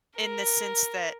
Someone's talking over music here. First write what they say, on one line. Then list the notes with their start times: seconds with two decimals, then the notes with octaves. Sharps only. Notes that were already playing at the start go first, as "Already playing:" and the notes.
in the sense that
0.18 A#4